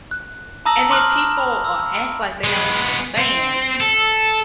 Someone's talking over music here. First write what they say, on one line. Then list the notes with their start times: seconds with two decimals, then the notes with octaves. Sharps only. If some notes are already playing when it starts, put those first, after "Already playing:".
And then people, uh, act like they don't understand
0.11 F#6
0.66 A5 A#5 D#6 E6 A#6 F#7
0.90 C6 D6 D#6 F6 F#6 F#7
1.37 B5 F7
1.64 E6
2.44 G#3 B3
3.18 C4
3.80 A4